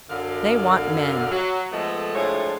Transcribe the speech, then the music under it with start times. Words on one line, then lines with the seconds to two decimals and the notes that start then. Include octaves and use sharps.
They want men.
0.09 F#2 D3 F5
1.31 F#3
1.72 F3 G#3 A3 B3 A4 D#5
2.15 A2 F3 G#3 A3 D4 C#5